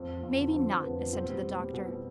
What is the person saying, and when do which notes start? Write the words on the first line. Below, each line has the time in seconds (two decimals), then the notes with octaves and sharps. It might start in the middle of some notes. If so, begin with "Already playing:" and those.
"Maybe not," assented the doctor.
Already playing: F2 C4
0.08 F3
0.23 F2
0.38 D3
0.53 F3 C4
0.68 F2
0.83 F2 B3
0.98 F3
1.13 B2 C4
1.29 G3
1.43 G3
1.59 G3
1.74 B2
1.88 B2